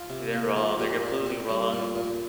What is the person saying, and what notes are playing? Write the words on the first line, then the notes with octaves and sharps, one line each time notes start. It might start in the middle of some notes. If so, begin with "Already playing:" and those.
They're wrong, they're completely wrong,
Already playing: F4
C3
A#3
F3
A#2 G4
A#2
C4
G3
A#2
A#2